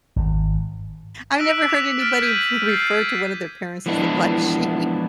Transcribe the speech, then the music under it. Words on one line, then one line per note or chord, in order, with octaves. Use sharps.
I've never heard anybody re refer to one of their parents as the black sheep.
G#1
E6 F#6 B6 D7 E7
D6 B6 E7 F7
F6 F#6 A6 B6 D7
G6 G#6 B6 D#7 F#7
G6 A6 C7
G#6 B6
E3 F3 G#3 B3 D4 E4